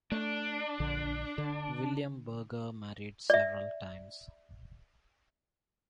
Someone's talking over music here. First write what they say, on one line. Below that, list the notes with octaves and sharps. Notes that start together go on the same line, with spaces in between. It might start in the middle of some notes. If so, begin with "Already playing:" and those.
William Berger married several times.
A3 D4
A#1 D3
D3
D5 E5